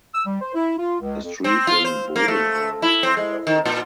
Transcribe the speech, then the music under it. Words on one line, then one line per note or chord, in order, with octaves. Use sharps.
A street in Bodenheim is named after him.
E6
G3
C5
E4
F4
C#2
F2
C4
F4
C5
A#3
A3
E4
C4
G#3
D#3
A#2